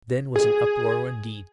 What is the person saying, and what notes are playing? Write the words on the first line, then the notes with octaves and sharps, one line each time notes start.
Then was an uproar indeed.
G#4